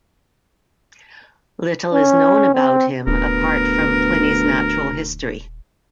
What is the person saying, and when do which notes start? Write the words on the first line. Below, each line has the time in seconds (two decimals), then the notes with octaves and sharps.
Little is known about him apart from "Pliny's Natural History".
1.93 C#4
2.54 C4
3.07 D#1 D2 B3 A#4